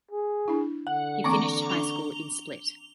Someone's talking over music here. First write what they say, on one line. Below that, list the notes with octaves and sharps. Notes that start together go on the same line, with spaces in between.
He finished high school in Split.
G#4
D4 E4
D3 F#5
E3 A#3 C4 A#5 C#6 D6
C#4 D4 F7 G7